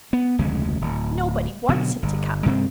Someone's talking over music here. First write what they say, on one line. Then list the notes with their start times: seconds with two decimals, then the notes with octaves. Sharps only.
Nobody wants him to come.
0.13 B3
0.39 F1 D2 C#3 G#3
0.81 D1
1.69 B2 D3 F3 F#3
2.03 G1
2.46 G2 C3 D#3 C4